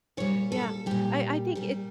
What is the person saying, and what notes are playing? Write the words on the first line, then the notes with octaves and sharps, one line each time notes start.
yeah, I I think it's
A#2 G3 C#5
A4
A#2 G3 G4
A#2 G3